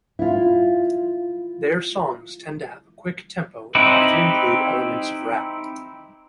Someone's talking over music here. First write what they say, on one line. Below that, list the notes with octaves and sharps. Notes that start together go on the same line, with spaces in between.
Their songs tend to have a quick tempo and often include elements of rap.
E4 F4
C4 D#4 E4 G4 B4